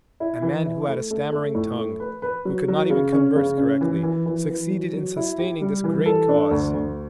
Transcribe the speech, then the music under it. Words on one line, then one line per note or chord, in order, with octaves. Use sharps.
A Man Who had a stammering tongue, Who could not even converse correctly, succeeded in sustaining this great Cause!
E4
E3
E4
A3
A3
A3
A2
A3
B4
B4
F#3
F#3
C#3
C#4
C#3
C#4
E3
E3
E3
E3
F#3
F#3
E4
G4
G3
E3
A4
D4
D2
D2